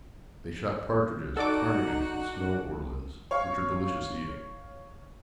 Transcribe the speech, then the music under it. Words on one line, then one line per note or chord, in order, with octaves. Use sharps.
They shot partridges, ptarmigans, and snow ortolans, which are delicious eating.
D#4 F#4 A4 D5 F#5 D6
C#5 F5 C#6